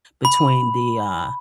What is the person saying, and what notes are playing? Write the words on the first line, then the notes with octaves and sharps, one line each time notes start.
between the, uh,
B5